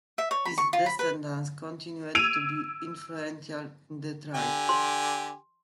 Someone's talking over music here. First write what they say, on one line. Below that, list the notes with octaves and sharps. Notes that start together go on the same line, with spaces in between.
His descendants continued to be influential in the tribe.
E5
C#5
B5
C#6
F4
B5
B4
E6 G#6 D7 D#7 F7
D3 G4 G#5
C6